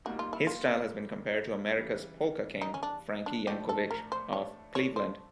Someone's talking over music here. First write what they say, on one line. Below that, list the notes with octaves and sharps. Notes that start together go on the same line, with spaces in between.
His style has been compared to America's Polka King, Frankie Yankovic of Cleveland.
A#2 G3 A#3 D#4 F#4
F4
E4
F4
C#3 E3 G3
D#4
C#4
D4
D4
A2 F3 A3 D4 G4
A4
A#4
C5
C#5
C#5
C5